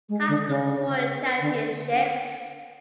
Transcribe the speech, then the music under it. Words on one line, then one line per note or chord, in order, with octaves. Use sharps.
High School football championships.
G#3
D3
C#3
D3